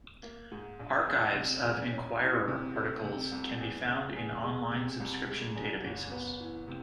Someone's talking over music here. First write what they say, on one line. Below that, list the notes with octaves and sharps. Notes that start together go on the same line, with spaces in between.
Archives of "Enquirer" articles can be found in online subscription databases.
A#3
G#2
A#1
E2
C3
E2
C#4
E3
C3
A3
C3
C2
E2
C#3
E2
G#3
C3
C2
G#3
E2
F#1
B3
E3
C3